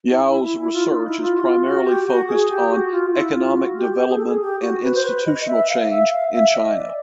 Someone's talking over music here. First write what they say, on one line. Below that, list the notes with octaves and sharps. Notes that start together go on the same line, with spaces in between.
Yao’s research is primarily focused on economic development and institutional change in China.
E4
E4
E4
E4
F4
D#4
E4
F4
F#4
F4
F#4
G4
F#4
G#4
G4
F#4
F4
E4
F4
F#4
G4
G4
G#4
A4
G#4
G4
F#4
B4
C5
B4
D#5
E5
F5
E5
F5
E5
D#5
D5